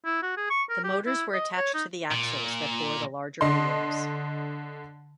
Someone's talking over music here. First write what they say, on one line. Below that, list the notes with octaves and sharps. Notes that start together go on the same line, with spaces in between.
The motors were attached to the axles that bore the larger wheels.
E4
F#4
G#4
C#6
A#4
G4
E4
D#5
C#5
D#4
A#2
D3 D#5 C6